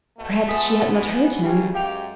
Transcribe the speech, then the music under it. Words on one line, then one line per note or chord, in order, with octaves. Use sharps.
Perhaps she had not heard him.
B2 A3
G#3 B3 E5 D#6 B6
E3
D#2 C#3 G4 G5
F#2 G4 F5 G5 F7